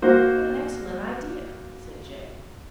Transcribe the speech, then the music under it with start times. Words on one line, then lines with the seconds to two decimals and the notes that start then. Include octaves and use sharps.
"What an excellent idea!" said Jane.
0.02 A#3 F#4 C5